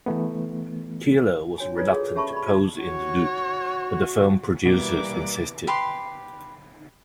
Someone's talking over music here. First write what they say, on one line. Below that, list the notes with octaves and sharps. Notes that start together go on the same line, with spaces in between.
Keeler was reluctant to pose in the nude, but the film producers insisted.
E3 A3 B3
D4 F#4 C#5 G5 G#5
E4 F4 A4 B4 C#5 D5
F#4 G#4 A4 C#5
C#4 G4 E5 A5 B5 C#6
D5 B5
F4 D5 A5
F#4 C#5
B2 E3 G3 A#3 D6
G4 B4 C6